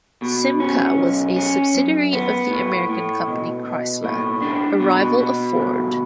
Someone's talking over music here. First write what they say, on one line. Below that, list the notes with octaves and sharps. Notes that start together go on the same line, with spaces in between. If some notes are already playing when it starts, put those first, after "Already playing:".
Simca was a subsidiary of the American company Chrysler, a rival of Ford.
B2
C#4
B1
C#4
F#2
B3
A2
A2
B2
B2
A2
D4
B2
B2
D2